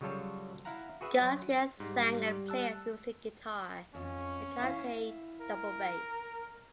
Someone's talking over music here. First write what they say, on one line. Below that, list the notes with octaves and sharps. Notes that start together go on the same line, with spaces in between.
Garcia sang and played acoustic guitar and Kahn played double bass.
C#3 F#3 G3 F4 A4 C#5
E4 F5 F#5 A#5
F#4 G#4 B4 E5 F#5
F#3
G#2 G3
A5 E6 F#6
F2 C#4
E4 F5 G5
A#4